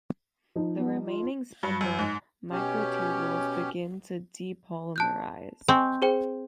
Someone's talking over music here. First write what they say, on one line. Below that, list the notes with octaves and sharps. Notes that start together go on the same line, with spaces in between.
The remaining spindle microtubules begin to depolymerize.
F3 D#4
B3
F4
G2
F#2
G#2
B2 C#4 G4
A5 F#6 G6
C4 D#5 G#5 C#6
G#4 C5 G5